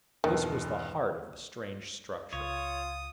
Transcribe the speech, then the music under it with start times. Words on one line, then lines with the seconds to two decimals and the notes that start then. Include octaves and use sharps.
This was the heart of the strange structure.
0.24 G1 E2 B2 D#3
2.33 C#2 F4 C#5 D#6